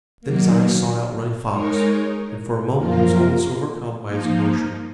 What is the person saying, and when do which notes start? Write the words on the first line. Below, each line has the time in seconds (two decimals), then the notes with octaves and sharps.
Then his eyes sought out Running Fox, and for a moment he was almost overcome by his emotion.
0.21 D#3 F#3 A#3
1.50 G#3 D#4 A#4 C#5
2.77 F#2 F3 A#3 F4 A#4
4.05 F3 A#3 D#4